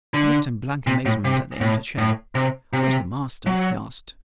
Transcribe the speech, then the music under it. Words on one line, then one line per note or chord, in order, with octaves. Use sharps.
He looked in blank amazement at the empty chair. "Where's the master?" he asked.
D3
C3
A2
C3
A2
A2
C3
C3
F#3